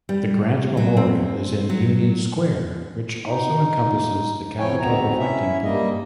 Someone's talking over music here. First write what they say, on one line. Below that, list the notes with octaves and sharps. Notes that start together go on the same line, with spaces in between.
The Grant Memorial is in Union Square, which also encompasses the Capitol Reflecting Pool.
G3
F#3
C4
F#3
D#4
F2 F3 E4 C#5 G5 G#5
D2 G#2 B2 B3 C4 A#5
C#4 E4 E5
G3 A#3 D#5